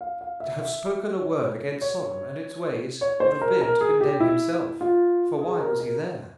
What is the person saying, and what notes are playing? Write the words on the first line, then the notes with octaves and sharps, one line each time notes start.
To have spoken a word against Sodom and its ways would have been to condemn himself,--for why was he there?
F5
F5
E5
E5
C#5
C#5
C#5
C5
A#4
A#4
G#4
G4
E4
F4
G#4
A#4
A#4